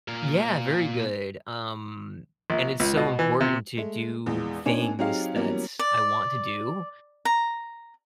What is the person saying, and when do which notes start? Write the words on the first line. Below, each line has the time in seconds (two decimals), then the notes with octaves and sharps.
Yeah, very good, um, and it's so important to do things; that's I want to do.
0.08 A#2 A#4
2.50 A#1
2.80 C#2
2.97 B2
3.19 E3
3.41 C3
3.77 G#3 A3
4.26 A#1 E2 G#3
4.66 A#3 C4 D4 D#4 C#5 G#5
4.99 F#3 C4 D#4 G4 G#4 F5
5.35 E3 F#3 G3 A#3 B3 C#4
5.79 D5
7.25 A#5